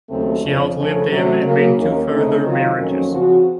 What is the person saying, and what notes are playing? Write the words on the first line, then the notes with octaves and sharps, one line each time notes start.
She outlived him and made two further marriages.
D#2 C#3 F#3 A3 C4
F2 C#3 F3
F2 C#3 A3
C3 F#3 A3 C#4
C#3 F#3 A#3
D#2 D#3 A#3 C#4
C#3 A3 C4 D#4
D#3 F#3 C4 F4
F2 D#3 F#3 A#3 C#4
C#3 F3 C4 F#4